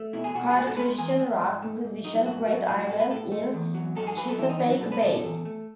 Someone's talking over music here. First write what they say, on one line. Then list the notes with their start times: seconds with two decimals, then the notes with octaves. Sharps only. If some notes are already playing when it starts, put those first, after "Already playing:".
Carl Christian Rafn positioned Great Ireland in Chesapeake Bay.
Already playing: A3
0.13 B2 E4
0.24 G#4
0.34 B2 F#4
0.50 G#4
0.56 G#2 F#4
0.67 A4
0.77 G#3 B4
0.98 E2 G#4
1.19 G#3
1.41 G#2
1.62 A3
1.84 G#2
2.04 F#3 D#4
2.15 E4
2.26 G#2 F#4
2.47 F#3 F#4
2.68 A2 G#4
2.79 F#4
2.90 A2 A4
3.00 B4
3.10 A2 A4
3.32 A3
3.54 E2
3.74 F#3
3.95 G#2 A4
4.07 G#4
4.17 F#3 B4
4.28 A4
4.38 E2 E4
4.49 D#4
4.59 F#3 D#4
4.70 F#4
4.80 B2 A4
4.92 B4
5.02 B2 A4
5.12 A4
5.23 E2
5.45 A3